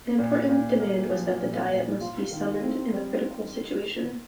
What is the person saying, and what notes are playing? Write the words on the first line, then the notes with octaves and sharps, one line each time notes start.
An important demand was that the diet must be summoned in the critical situation.
A#2
A#2
A#3
F3
A#2
A#2
F4
D#3
C4
G3